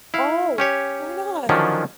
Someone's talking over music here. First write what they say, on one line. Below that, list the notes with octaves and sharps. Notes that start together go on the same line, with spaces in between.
Oh! Why not?
E4 F5
C#4 G4 C#5
D3 D#3 F3 F#3 C#4 D4